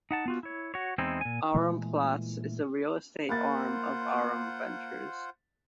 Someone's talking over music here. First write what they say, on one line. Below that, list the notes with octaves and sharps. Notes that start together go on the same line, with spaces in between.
Aurum Platz is the real estate arm of Aurum Ventures.
D#4 F#5 A5
B3 F4 F#4
E4 C#5
F#4 C#5
E2 G#3 C4 D#4 E4
A#2 G#5
A#2 E3 G#3 A3
A#3 F4 C5 F#5 B5 A6